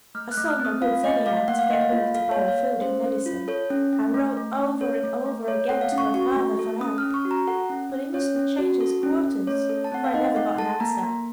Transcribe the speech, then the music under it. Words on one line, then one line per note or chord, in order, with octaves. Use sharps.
I sold my goods any how to get money to buy her food and medicine; I wrote over and over again to her father for help, but he must have changed his quarters, for I never got an answer.
A3 F6
F#6
A3
F6
C4
D#6
F4 F5
A3 D#5
A3 F5
A#3 F#5
F5
A#3 D#5
F5
F4
A4 F5
C#5
A#3
F5
A#3
C#4 C5
C#4
F4
A4 C#5
C#4
C#4
A3
A3
C#4
A4 C#5
A3
A3
A3 C#5
A4 F#5
F5
C#4
C#6
F#4 C#6
A3
A4
C#4 D#6
F6
C#4
C#6
F#4
A#5
A4 F#5
C#4
C#4
C#4 C#5
C#4
F#4
A4
C#4
C#4
A3 C#5
A4
A5
C4 F#5
F5
D#4 D#5
A3 F#5
A4 A5
A#3 A#5
A#3